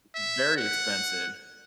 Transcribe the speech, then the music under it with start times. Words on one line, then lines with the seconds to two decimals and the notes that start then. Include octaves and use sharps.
very expensive,
0.15 E5
0.57 F#5